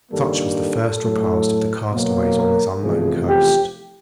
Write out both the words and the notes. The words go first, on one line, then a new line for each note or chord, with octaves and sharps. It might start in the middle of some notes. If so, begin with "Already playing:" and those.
Such was the first repast of the castaways on this unknown coast.
G2 D#3 G3 A#3 A4
A4
A2 F#3 A3
B2 F#3 A#3
A#4
E2 C3 F3 A3 G#4
G4